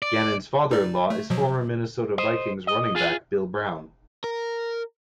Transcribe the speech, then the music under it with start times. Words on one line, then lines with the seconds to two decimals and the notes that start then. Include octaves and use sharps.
Gannon's father-in-law is former Minnesota Vikings running back Bill Brown.
0.02 D5
0.71 D#4 D5
1.10 A3
1.30 B2 F3 F#3
2.18 C5 D#5
2.67 D#5
2.95 F4 G#4
4.24 A#4